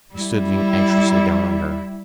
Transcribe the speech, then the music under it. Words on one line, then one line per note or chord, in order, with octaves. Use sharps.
He stood looking anxiously down on her.
G3 E4